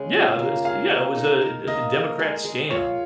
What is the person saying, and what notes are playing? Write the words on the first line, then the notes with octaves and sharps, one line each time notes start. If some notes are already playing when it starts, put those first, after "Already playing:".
Yeah it was yeah it was, uh, the the Democrat scam.
Already playing: C#3 G#3
F4
A#3
G#4 F5
A#3
D#4
A#4
A#3 D#5
A#4
G#3
G#3
F4 C#5